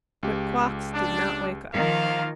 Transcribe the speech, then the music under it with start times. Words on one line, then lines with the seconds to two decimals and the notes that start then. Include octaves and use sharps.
But Quox did not wake up.
0.23 C#2 G4
0.94 D4
1.73 D#3 F3 A#3 F4 F5